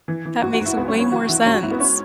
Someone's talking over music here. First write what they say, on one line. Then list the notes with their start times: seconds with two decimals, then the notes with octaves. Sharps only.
that makes way more sense.
0.08 E3
0.25 E3
0.42 G#2 F#4
0.53 F#4
0.60 G#2
0.66 E4
0.77 C#2 B3
0.88 C#4
0.94 F#3
1.00 C#4
1.11 E3 F#4
1.29 E3 E4
1.46 G#2 C#4
1.54 F#4
1.63 G#2 E4
1.71 B3
1.80 C#4